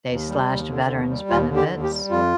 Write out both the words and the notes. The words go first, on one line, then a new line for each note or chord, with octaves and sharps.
they slashed veterans benefits.
D#2
G3
D#2
D3
D#2
G3
D#2 F4
D3
G4
D#2
G4
G3
F2 F4